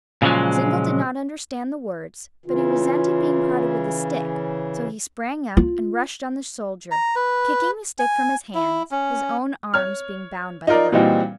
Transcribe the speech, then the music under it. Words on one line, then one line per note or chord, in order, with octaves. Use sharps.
Zingle did not understand the words, but he resented being prodded with the stick, so he sprang up and rushed on the soldier, kicking the stick from his hands, his own arms being bound by the rope.
A#2 C#3 F3 F#3 G#3
C#3 E3 F4
F4
A#5
B4
G#5
E4
C#4
C#5 F6
D#4 F4 A#4 D5
A#2 E3 G3 C4 D#4 F#4